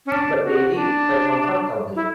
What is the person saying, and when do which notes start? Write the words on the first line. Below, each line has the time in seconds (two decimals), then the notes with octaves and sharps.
But they live very comfortably.
0.06 C#4
0.11 D4
0.43 F#4
0.75 D4
1.95 E4